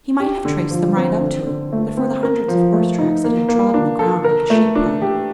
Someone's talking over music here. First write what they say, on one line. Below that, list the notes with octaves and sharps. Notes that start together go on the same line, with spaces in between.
He might have traced them right up to it, but for the hundreds of horse tracks that had trodden the ground like a sheep-pen.
G4
D3
F3
C4
D3
D3
A3
C4
A#4
F3
A3
D#4
A#3
A#3
D4
A4
A#4
A3
D4
G4